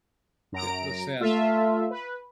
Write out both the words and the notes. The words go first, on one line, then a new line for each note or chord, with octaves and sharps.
Yeah, the sand
F#2 A#5 D7
A3 F4 E5
B4